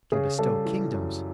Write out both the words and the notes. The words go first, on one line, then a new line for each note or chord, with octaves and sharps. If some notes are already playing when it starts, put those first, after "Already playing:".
I can bestow kingdoms.
C#3 G#4
G3 A4
E3
F#2